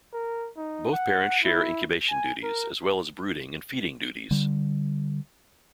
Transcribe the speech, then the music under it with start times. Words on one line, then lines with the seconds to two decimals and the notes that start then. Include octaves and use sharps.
Both parents share incubation duties, as well as brooding and feeding duties.
0.13 A#4
0.57 D#4
0.92 F#5
1.44 E4
2.10 G#5
2.43 A#4
4.31 D3 G3